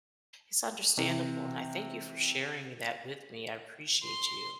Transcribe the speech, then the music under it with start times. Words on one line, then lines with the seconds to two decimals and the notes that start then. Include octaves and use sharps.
It's understandable, and I thank you for sharing that with me, I appreciate you.
0.97 C3 E3
4.03 C6